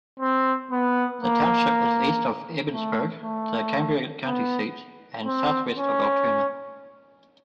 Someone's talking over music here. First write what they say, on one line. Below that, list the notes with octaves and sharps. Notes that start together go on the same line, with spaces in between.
The township is east of Ebensburg, the Cambria County seat, and southwest of Altoona.
C4
B3
A#3
A3
A3
B3
C4
C#4